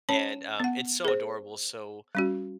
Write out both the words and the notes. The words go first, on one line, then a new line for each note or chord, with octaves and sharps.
and, um, it's so adorable. So,
C#4 C#5 A5
B3 F#5
G#4 C5
G3 C#4 F#4